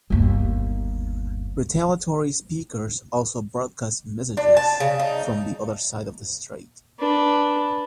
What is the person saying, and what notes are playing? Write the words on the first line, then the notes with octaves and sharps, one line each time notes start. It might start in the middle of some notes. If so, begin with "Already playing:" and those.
Retaliatory speakers also broadcast messages from the other side of the Strait.
G1 D#2
D4
A5
C#3
D#4
D4 B4